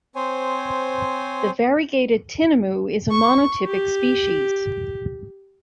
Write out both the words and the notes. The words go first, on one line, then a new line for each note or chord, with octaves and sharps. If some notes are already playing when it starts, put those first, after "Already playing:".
The variegated tinamou is a monotypic species.
C4 C5 C#5 G#5
C#6
G4